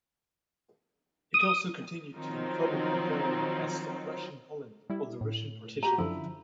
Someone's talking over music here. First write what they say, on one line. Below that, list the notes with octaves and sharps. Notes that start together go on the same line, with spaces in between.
It also continued to be informally known as Russian Poland or the Russian partition.
D#6
D#3 F3 F#3 C4 D#4
G3 E4
A2
F#4 G4 A#5
F#2 D3 F3 E4